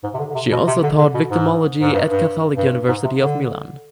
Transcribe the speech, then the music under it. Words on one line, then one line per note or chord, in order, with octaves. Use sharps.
She also taught victimology at Catholic University of Milan.
G#2
C3
D3
D3
C3
B2
C3
D3
D3
B2
G#2
G#2
G2
G2
G2
G#2
C3
D3